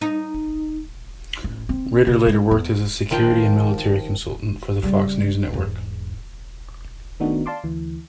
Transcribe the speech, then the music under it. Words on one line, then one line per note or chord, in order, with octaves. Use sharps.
Ritter later worked as a security and military consultant for the Fox News network.
D#4
A1
C4
C3
G#3
E2
D#3 F3 G5
C#3 G3
E2 G#2
D#3 A3 B3 D4 D#4 F#4
D5 F5 A5 C6 D6
D2 E3